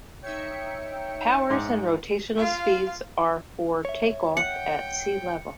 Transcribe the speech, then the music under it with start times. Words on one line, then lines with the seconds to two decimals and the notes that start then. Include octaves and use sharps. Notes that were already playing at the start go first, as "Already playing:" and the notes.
Powers and rotational speeds are for take-off at sealevel.
0.24 D#4 C#5 E5 G5 C#7
1.50 G#2 C6 D6
2.37 F4 F5
3.85 C#5 E5
4.37 F#5 G5 C#7